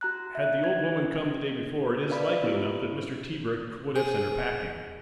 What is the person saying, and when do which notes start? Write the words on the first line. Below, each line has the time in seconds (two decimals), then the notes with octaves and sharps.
Had the old woman come the day before it is likely enough that Mr. Tebrick would have sent her packing.
0.01 F#4 A#5 F#6
0.35 E5
0.64 G#6
2.09 A#4 B4 D5 F5 B5
2.43 B3 E4 F4 G4
3.96 G#4